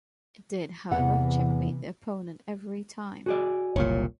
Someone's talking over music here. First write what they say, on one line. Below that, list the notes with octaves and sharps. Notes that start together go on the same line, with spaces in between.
It did, however, checkmate the opponent every time.
E2 C3 E3 B3 F#5
F#4 G#4 D5
F#1 C2 A#2 C#5